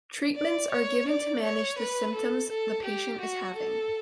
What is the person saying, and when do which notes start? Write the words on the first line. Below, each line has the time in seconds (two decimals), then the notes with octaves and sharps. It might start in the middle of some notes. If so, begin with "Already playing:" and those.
Treatments are given to manage the symptoms the patient is having.
0.36 D5
0.71 C#5
1.08 D5
1.43 C#5
1.78 B4
2.14 A4
2.50 A4
2.85 G4
3.21 F#4
3.56 A4